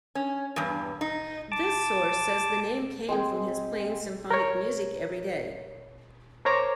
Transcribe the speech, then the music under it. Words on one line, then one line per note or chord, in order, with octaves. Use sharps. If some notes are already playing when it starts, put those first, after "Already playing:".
This source says the name came from his playing symphonic music every day.
C#4
E2 G2
D#4
A5 D6
G#3 C4 G#4
A#4 C#5
A#4 C5 C#5 A#5 C#6 D6